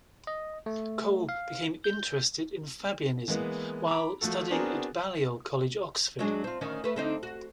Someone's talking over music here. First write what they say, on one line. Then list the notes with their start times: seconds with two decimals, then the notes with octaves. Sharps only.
Cole became interested in Fabianism while studying at Balliol College, Oxford.
0.27 D#5
0.66 A3
1.29 F5
1.84 G6
3.28 E3 G#3 A#3 B3
3.88 A#5 B5 D6
4.21 F3 A3 F#4 A4
4.50 B3 C4 D4 F#4 G#4 A#4
6.19 F#3 G#3 D4
6.44 C4 F4
6.61 D2 D#3 C#4
6.84 A3 B4
6.96 D3 C4 D#4
7.23 F#4